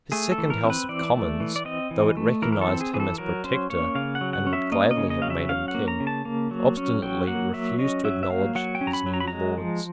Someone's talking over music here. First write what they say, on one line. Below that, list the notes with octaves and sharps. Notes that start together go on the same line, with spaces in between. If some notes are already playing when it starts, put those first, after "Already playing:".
His second House of Commons, though it recognised him as Protector, and would gladly have made him King, obstinately refused to acknowledge his new Lords.
A3 G#4
A4
E3
A#4
C4
B4
E3 D5
A3
E3
D5
C4 D#5
E3
A3
E3 A#4
A#4
A4
C4
G#4
E3 G#4
A4
F#3 A#4
C#4 C5
A#3 C#5
C#3 F5
F#5
F#3
F#5
C#4
E5
A#3 D#5
D#5
C#3
D#5
F#3 F5
E5
C#4 F5
F#5
A#3
A#5
C#3
A5
A#3
F#3
C#4
F#3 G5
A#3 F#5
F#3 E5
C#4 D#5
F#3 E5
E5
A#3 F5
F#3 F#5
G5
C#4
A#5
B5
F#3
A#5
B5
G#3 A#5
F3